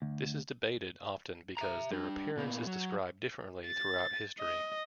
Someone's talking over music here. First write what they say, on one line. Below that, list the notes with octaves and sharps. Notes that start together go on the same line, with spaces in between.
This is debated often because their appearance is described differently throughout history.
D2
E5 A#5
G3 D4
A#2 A#3 B3
F#3
A6
D#5